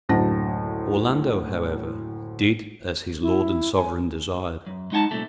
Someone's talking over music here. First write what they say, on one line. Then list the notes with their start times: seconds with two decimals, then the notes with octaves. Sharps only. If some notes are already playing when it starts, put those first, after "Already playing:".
Orlando, however, did as his lord and sovereign desired.
0.09 F#1 D2 A2 F#3 A5 A#6
3.22 E4
3.74 G#5
4.66 F#2
4.92 G#3 D#4 F#5 G#5 A5
5.11 C2 A#2 A3 E5